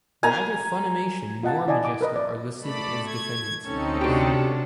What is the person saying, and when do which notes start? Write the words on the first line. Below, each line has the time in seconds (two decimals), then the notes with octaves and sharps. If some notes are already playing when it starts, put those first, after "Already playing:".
Neither Funimation nor Majesco are listed as defendants in the case.
0.23 G#5 A#5
1.43 F4 D#5 F#5 A5
1.68 E4 D5 D#5 G#5 A5
1.84 D#5 D6
2.01 A#4 B4 D#5
2.16 D5 E5
2.63 A3 D5 B5
3.06 G#6
3.66 D2 C4 C#4 D#4 A4
4.01 C3 D4 F#4 G4